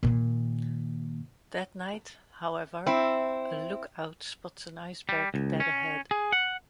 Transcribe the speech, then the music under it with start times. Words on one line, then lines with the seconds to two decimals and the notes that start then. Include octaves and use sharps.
That night, however, a lookout spots an iceberg dead ahead.
0.03 A#2 D#3
2.86 C4 E4
5.09 G3
5.34 C#2
5.60 C#4
6.11 G#4
6.32 F#5